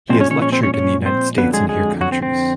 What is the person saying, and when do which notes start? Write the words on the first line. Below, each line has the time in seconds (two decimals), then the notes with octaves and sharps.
He has lectured in the United States and here countries.
0.09 A#2 F3 G#3 C4 C5
0.20 C#4 C#5
0.31 C#4 C#5
0.42 C#4 C#5
0.52 C4 C5
0.63 C#4 C#5
0.74 C#4 C#5
1.05 C4 C5
1.38 F2 D3 F#3 B3 B4
1.53 G#3 G#4
1.69 G#3 G#4
2.01 F#3 F#4
2.12 C4
2.23 C4